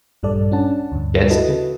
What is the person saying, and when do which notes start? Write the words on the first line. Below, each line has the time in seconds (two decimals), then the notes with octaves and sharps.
Against you?
0.23 A#1 G2 G3 A4 D5
0.52 C#4 D4 F#5 A5
0.92 D2 G2
1.30 E4 F#4 A4 B4 D#5